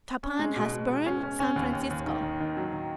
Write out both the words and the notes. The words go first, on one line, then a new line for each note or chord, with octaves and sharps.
Chapan hass burn San Francisco.
C#4
G#3
B2
B2
B2
C#4
C#4
C#4
D#2
D#2
D#2
D#3
D#3
D#3
F#3
D#3